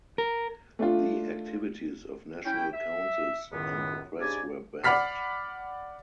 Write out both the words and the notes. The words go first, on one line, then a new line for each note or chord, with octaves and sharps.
The activities of national councils and the press were banned.
A#4
A3 D4 F4
C#4 E4 G5
E5
C#2 F#2 A2 D#3 B3
G#2 C#3 D4 G4 D5 G#5
D5 F#5 B5 F6 B6 C7